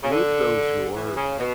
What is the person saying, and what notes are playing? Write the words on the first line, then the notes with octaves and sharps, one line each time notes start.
with those who are
C#3
D3
E3
C#3
B2